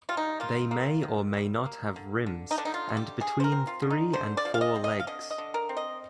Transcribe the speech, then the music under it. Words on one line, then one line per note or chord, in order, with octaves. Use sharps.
They may or may not have rims and between three and four legs.
G3 F4
D#4
A#3 F4
A#3
D#3
G3
A#3
D3
D3
D#4
D3 D4
D#4
F4
G3
G4
D3 G#4
C5
A#4
C4
F4
D3
D#4
D3 C5
D5
F3
F5
D#5
C4
D#5
F5
D3 D#5
D#5
D3
A#4
C4
D#5